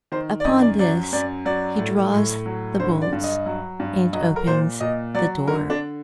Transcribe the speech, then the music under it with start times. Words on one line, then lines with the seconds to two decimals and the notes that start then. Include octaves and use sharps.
Upon this he draws the bolts and opens the door.
0.12 D#3 C5
0.40 D5
0.45 F#2 D#5
0.62 D5
0.79 F#3 D5
1.13 F#2 D5
1.45 F#3 D5
1.79 A2
2.13 A2
2.46 F#3
2.80 D3 C5
3.02 D5
3.13 G2
3.24 D#5
3.46 F#3
3.80 G2
4.13 F#3 D#5
4.36 A#4
4.47 A#2 C5
4.80 A#2 D#5
5.15 F#3 D5
5.48 D3 A#4
5.70 D4